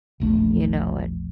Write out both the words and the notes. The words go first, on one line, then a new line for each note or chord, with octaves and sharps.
you know, and,
E1 A#1 A3